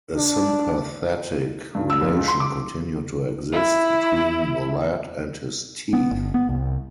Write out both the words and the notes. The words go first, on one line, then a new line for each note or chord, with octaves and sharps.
A sympathetic relation continued to exist between the lad and his teeth.
D4
G2
E6
F2
C#2
C6
D6
E4
B3
G1
B3
C2